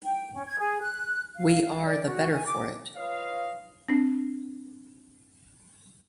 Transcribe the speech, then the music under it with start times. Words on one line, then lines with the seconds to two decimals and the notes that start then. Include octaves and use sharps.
We are the better for it.
0.05 G5
0.34 C#4
0.47 G#6
0.59 G#4
0.81 F#6
1.36 F5
1.62 F5
1.85 D5
2.07 F#4
2.33 G#5
2.46 D6
2.96 F4 B4 C#5 D#5 F5
3.88 C4 D4